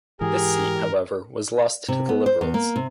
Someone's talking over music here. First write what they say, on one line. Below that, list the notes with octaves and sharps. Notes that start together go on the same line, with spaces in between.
This seat however was lost to the Liberals.
G#2 E3 G4 G#4 A#4
C3
B3
C5
E2
A#3
C3